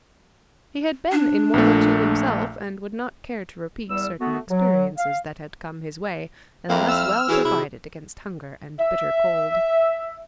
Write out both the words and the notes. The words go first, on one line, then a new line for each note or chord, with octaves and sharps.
He had been in one or two himself, and would not care to repeat certain experiences that had come his way, unless well provided against hunger and bitter cold.
D4
A#1 A#2 A3
E2 G3 E6
A3 B3 F#4
F#3
F5
F2 A#3 E4
E6 F6
E3 F#4 G#4 C#5
C3 E4
E5